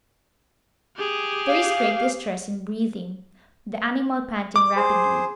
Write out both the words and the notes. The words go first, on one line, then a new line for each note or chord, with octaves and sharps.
There is great distress in breathing, the animal panting rapidly.
G4 G#4
F5
D6
G#4 C5